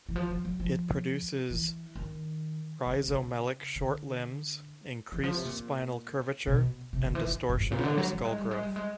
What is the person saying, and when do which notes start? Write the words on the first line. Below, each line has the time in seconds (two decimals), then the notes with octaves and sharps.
It produces rhizomelic short limbs, increased spinal curvature, and distortion of skull growth.
0.09 E3
0.16 F3
0.30 F3
0.45 F#3
0.60 F3
1.50 E3
1.96 D#3
2.86 D3
3.08 C#3
3.76 D3
5.12 E3
5.23 F3
5.34 C3
5.45 A#2
6.47 B2
6.93 C3
7.05 D3
7.15 E3
7.26 D#3
7.49 G#2
7.60 G#2
7.72 A#2
7.78 C#3
7.83 D3
7.97 F#3
8.13 G3
8.25 G#3
8.38 G3
8.51 G#3
8.63 G3
8.76 G#3